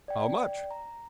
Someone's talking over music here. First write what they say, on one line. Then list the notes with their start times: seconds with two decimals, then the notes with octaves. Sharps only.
How much?
0.08 D5 G5
0.71 A#5